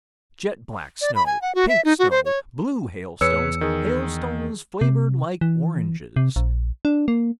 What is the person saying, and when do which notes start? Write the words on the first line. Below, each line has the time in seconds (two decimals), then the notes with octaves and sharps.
Jet-black snow--pink snow--blue hailstones--hailstones flavored like oranges.
1.01 D5
1.15 B5
1.26 G#5
1.42 F#5
1.55 F#4
1.69 E5
1.85 D#4
1.99 F#4
2.11 C5
2.25 C#5
3.21 E2 G#4 B4 C#5 E6 C#7
3.61 D#3 G#4
4.81 C3
5.41 E3
6.16 C3
6.36 A#1
6.85 D4
7.08 A#3